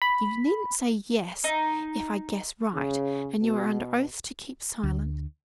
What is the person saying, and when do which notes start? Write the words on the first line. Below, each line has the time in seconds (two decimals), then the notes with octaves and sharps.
'You needn't say yes, if I guess right and you are under oath to keep silent.
0.02 B5
1.44 D#4
2.75 C#3
3.42 B2
4.83 D2